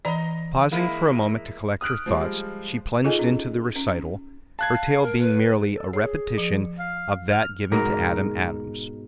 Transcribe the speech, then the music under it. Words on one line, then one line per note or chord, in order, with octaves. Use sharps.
Pausing for a moment to collect her thoughts, she plunged into the recital, her tale being merely a repetition of that given to Adam Adams.
E3 D5 D#5 A#5
G#3 A#3 E4
D#6 F6 F#6 D7
F3 G3 G#3
D#4 F4 G#4 A4 D#5 G#5
C#4
C#4
F5 A5 F#6 G#6
A#4
B4
A4
G#4 C#5
F3
F5
F6
G#2 B2 A#4